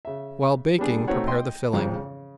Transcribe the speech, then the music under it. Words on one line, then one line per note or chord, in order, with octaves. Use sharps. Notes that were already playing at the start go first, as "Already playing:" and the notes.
While baking prepare the filling.
C#3 E5
G3 B3 D4 G#4
A3 C4 D#4 F#4 C#5 F#5
D#5 G5 C6
G#1 F2 G#2 C#3 F3
C#3